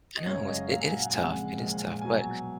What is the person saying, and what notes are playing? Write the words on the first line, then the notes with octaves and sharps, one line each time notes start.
I know, it's it is tough. It is tough, but
D#5
F#2 C#3 G#3 C#5
F5
D#5
A#2 F#3 F5
G#5
F#5
F#5
G#5
F2 C#3 G#3 F#5
A#2 F3 G#3
B2 F#3 G#5